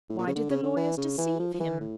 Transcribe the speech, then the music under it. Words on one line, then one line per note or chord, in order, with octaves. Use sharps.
"Why did the lawyers deceive him?"
A2
A#2
C#3
D3
C#3
D3
E3
C#3
E3
F3
F3
E3
A2